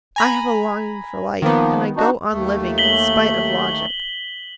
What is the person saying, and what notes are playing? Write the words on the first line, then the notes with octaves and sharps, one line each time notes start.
I have a longing for life, and I go on living in spite of logic.
G#5 A#5 B5
D#3 F3 A#3 B3
D4 D#4 F#4
D#2 A3
B6 F#7 G7